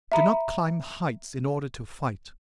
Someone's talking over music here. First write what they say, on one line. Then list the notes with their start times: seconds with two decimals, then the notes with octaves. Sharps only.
Do not climb heights in order to fight.
0.12 E5 A#5 B5